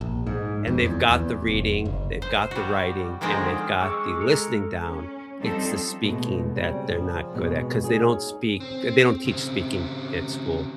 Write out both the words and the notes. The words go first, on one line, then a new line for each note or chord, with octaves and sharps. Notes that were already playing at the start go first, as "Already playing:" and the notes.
and they've got the reading, they've got the writing, and they've got the listening down- it's the speaking that they're not good at, 'cause they don't speak uh, they don't teach speaking at school.
A#1
G#2
F2
E2
E2
F1
F#1
C5
G3 F#4
D3 D#3 F3 G#3 C4
G#3 C#6 D6 E6
A4 A#4 A#5
C#4
F3 G3 C4 D4 D#4 A4
B2 G#3 A3
C#3 G3 C4
C#3 F3
F2 B2 G#3
C#4 D#4 G#4
C4
C#3 C4